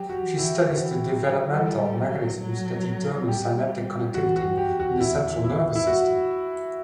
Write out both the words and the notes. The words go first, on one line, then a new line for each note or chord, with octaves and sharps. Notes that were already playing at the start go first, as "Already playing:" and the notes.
She studies the developmental mechanisms that determine synaptic connectivity in the central nervous system.
Already playing: F#3 G4
F#4
E3
E4
E3 F#4
F#3
G3 A4
F#3
F#3
G3 G4
E3 F#4
F#4
G2
G4
E2
F#4
E4
E4
E4
F#4